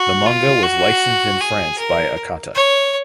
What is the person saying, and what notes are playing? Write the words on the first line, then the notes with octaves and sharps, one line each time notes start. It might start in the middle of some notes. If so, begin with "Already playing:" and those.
The manga was licensed in France by Akata.
Already playing: F#4
F4
F#4
G#4
A#4
C#5